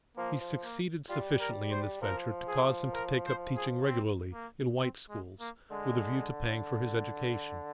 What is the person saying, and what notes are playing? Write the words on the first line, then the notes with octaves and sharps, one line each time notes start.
He succeeded sufficiently in this venture, to cause him to take up teaching regularly, in white schools, with a view to paying for his education.
F3 A#3
F3
A#3
G3 F4
A#4
C5
F3 A#4
G#4
A#4
C5
G#4
C4
A#3
C4
G#3
A#3
D3 G#3